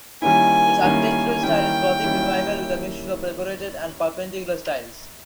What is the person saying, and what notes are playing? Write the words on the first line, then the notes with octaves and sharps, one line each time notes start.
Its architectural style is Gothic Revival, with a mixture of Decorated and Perpendicular styles.
D#3 G3 A#3 C#4 E4 G#5
D#3 G3 A#3 C#4 E4 G#5
D#3 G3 A#3 C#4 E4 G5
D#3 G3 A#3 C#4 E4